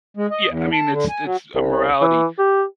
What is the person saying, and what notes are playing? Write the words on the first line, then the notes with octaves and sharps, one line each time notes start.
yeah, I mean, it's it's a morality
G#3
D#5
E2
A5
D3
G#5
F#3
C2
E3
G4